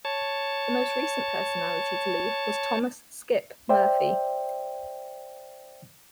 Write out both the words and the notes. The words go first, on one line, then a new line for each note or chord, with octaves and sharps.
The most recent personality to leave was Thomas "Skip" Murphy.
C#5 A5
C5 D5 E5 G5